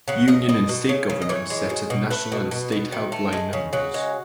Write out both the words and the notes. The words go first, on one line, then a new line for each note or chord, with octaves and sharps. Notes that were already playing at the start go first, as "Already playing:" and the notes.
Union and state governments set up national and state helpline numbers.
C#3 F#4
C#3 D#5
B2 D#5
B2
C#3
C#3
D#5
E3 C#5
G#3
B2
B2
A3 B4
B2
B2
B2
D#3
A3
G#3
C#3
C#3 F#4
G#3